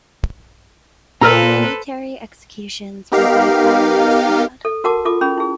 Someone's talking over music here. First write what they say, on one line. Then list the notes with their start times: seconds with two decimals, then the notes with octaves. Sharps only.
Military executions were by firing squad.
1.21 A#2 A4 B4 C5 A#5 E6 F6
3.12 B3 D#4 G4 A#4 F5
4.65 A4
4.84 F#4 A#4 F#5 A5 D6
5.05 F4 A4 D6
5.21 C#4 G#4 B5
5.38 E4 G#4